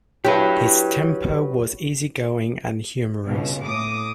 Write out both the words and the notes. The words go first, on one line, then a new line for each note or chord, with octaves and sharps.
His temper was easy-going and humorous.
F#3 E4 G4 B4
C#2 G2 B2
A2 D6 D#6